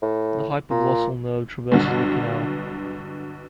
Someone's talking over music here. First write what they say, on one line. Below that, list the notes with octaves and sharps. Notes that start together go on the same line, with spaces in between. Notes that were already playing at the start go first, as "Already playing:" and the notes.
The hypoglossal nerve traverses the canal.
A2
A#2
C2 G2 B2 D3 F#3